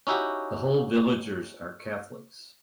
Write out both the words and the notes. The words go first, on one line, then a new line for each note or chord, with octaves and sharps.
The whole villagers are Catholics.
C#4 D#4 E4 F#4 G4